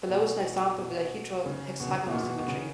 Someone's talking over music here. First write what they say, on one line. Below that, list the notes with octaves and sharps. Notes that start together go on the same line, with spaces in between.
Below is an example with dihedral hexagonal symmetry.
B2
B2
C#3
B2
C#3
B2
A#2
B2
B2
C#3